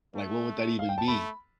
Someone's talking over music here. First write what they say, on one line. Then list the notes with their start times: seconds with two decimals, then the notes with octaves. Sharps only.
Like, what would that even be?
0.15 A3
0.79 F5
0.89 G5
0.98 A5
1.08 A3 B5